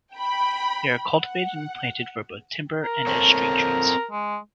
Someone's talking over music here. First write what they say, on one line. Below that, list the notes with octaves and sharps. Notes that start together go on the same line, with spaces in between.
They are cultivated and planted for both timber and as street trees.
G5 B5
F#5
A#4
C4 A4 C#5
G#3